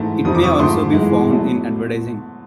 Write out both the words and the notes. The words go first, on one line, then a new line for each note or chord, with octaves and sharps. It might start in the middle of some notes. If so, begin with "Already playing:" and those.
It may also be found in advertising.
Already playing: G#2 E3 A3
F2 C3 D#3 G3 D#6
D6
C#6 D#6
G#2 F3 A3 C6 D6
G#2 E3 G#3
B2 F#3 A3